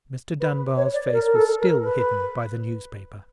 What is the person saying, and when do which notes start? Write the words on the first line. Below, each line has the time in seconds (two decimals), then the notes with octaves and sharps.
Mr. Dunbar's face was still hidden by the newspaper.
0.40 B4
0.76 C#5
0.93 D5
1.12 A#4
1.27 A#4
1.35 A4
1.59 A#4
1.83 B4